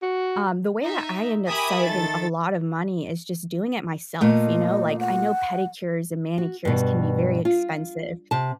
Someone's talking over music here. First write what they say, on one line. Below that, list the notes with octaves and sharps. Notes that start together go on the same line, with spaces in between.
um, the way that I end up saving a lotta money is just doing it myself, you know, like, I know pedicures and manicures can be very expensive,
F#4
D#4 E5
G4 A#4 E5 G#5 B5 D#6
D#3 A4 A6
A#2 A3 D#5 F5
F#5
F#4
G2 B2
F4
C3 A5